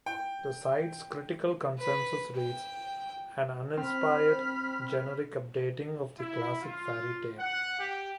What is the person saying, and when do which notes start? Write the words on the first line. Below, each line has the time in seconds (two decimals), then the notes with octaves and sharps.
The site's critical consensus reads, An uninspired, generic updating of the classic fairy tale.
0.06 G5
1.79 B4
2.37 G5
3.78 C4 B5 F6
6.18 E4
6.61 F4
7.39 F#5
7.79 G4